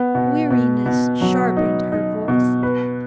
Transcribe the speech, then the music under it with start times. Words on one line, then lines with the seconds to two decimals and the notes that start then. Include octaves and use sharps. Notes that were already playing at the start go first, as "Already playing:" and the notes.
Weariness sharpened her voice.
Already playing: B3
0.15 B2
0.50 B2
0.86 B2
1.21 F#3
1.57 D#4
1.92 D#4
2.28 B2
2.63 B4